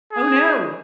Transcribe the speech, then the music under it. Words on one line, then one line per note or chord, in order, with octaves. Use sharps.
Oh, no.
G#4